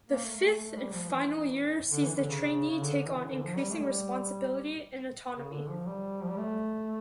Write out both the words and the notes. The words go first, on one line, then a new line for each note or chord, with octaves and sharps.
The fifth and final year sees the trainee take on increasing responsibility and autonomy.
A#3
A3
A3
A3
A3
G3
F3
F3
E3
D3
E3
D3
C#3
C#3
D3
D3
E3
D3
F3
G3
A3
G3
C#3
D3
F3
G3
F3
G3
A3